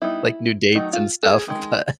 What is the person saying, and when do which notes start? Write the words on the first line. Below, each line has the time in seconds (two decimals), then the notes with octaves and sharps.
like, new dates and stuff, but
0.02 G3 B3 D#4 E4
0.75 D#3 F#3 A3 D#4
0.93 F4
1.23 A4
1.30 G#4
1.48 D#3 G#3